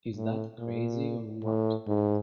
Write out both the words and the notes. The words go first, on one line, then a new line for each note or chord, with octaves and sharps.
Is that crazy or what?
A2
A#2
A2
G#2